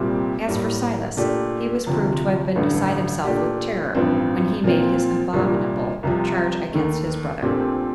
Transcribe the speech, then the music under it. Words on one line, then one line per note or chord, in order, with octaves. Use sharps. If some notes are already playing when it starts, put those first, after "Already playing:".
As for Silas, he was proved to have been beside himself with terror when he made his abominable charge against his brother.
Already playing: C2 A#2 G3 C4 G4
A2 G3 A#3
A#2 A3 D4 G4
D2 C3 F3
A1 G2 D3 A3
A#2 A3 D4 G4
A1 G2 F3 C4
A#2 F3 C4 F4
C2 A#2 G3 D4
C2 C3 F3
D#2 D#3 A3
A#1 A#2 A3 C4 G4